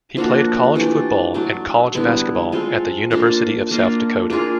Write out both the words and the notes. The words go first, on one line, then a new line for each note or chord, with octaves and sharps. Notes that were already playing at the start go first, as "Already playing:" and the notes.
He played college football and college basketball at the University of South Dakota.
F3 A#3 D4 F#4
E3 A3 D4 G4
F#3 A3 D4
D3 G3 B3 E4
G#3 C4 F4 A4
A#3 D4 F4 A4
A#3 D4 F4
A#3 D4 F4 G#4